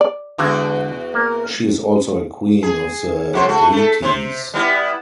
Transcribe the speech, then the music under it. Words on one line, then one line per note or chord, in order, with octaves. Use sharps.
She is also a Queen of the deities.
D5
E2 D3 G#3 F#4 A5
A#3 A#4
G#4
F2 F#4 C5
A3 F#4
A3 A4
C3 C5
G3 B3 E4